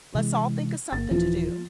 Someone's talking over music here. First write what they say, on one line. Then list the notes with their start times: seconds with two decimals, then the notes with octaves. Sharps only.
let's all think of something to do,
0.15 C3 E3 G#3
0.92 G1 A#3 A6
1.11 D#1 E3 F3 F4